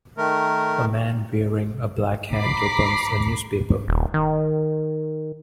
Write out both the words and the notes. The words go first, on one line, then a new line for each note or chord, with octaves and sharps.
A man wearing a black hat opens a newspaper.
D#3 A3 A#4
A#5 B5 D6 B6 C7
D#1
D#3